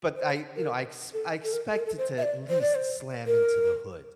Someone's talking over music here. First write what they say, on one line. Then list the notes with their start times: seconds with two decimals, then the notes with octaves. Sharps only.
But I you know, I ex I expected to at least slam into the hood.
0.16 C5
0.56 A#4
1.13 A4
1.44 A4
1.53 A#4
1.72 A4
1.79 A#4
1.86 A4
1.98 C5
2.18 E5
2.23 D5
2.50 C5
2.61 D5
2.75 C5
3.27 A#4